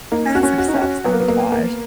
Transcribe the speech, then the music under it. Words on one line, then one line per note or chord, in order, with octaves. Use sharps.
massive self-sabotage.
A#3 D#4
F#4
C#4
F#4
D#4
C#4
F#4
F#3 B3
A#3
B3
A#3
A#3